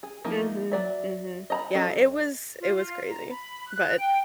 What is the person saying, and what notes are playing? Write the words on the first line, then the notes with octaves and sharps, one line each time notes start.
Mhm. Mhm. Yeah. It was it was crazy, but
G#4
F3 A#3 D#4 E4
F#3 D5 E5
D#5 A#5 B5
F#3 C#4 F#4 A4 D#5
F4
F4
A#5
B5
F#6
G5